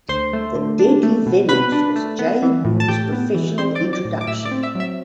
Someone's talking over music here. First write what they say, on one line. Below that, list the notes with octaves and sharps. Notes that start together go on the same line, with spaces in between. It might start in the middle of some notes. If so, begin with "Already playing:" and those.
The Deadly Venoms was J-Boo's professional introduction.
D2 C5 C6
A3
D3
D4
A3
B2
B2 B4 B5
D4
A3
B3
E3
A2
A5
A2 G4 G5
B3
E3
C4 C5 C6
D5 D6
F#3
D5 D6
A2
D6
A2 E5 E6
D5 D6
C4
E5 E6
F#3
E5 E6